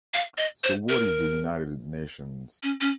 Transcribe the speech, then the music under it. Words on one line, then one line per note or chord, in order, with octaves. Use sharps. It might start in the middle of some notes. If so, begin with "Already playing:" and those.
So what is the United Nations?
F5
D#5
C5
A#4
C#4
C#4